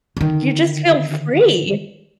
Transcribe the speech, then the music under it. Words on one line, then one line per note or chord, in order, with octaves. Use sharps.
You just feel free.
D3 D#3